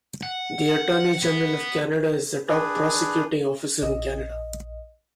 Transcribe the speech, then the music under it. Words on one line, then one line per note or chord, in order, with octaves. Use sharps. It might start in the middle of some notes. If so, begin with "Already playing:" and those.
The Attorney General of Canada is the top prosecuting officer in Canada.
F#5
B3
D4 G#4 B4
A#1 D#5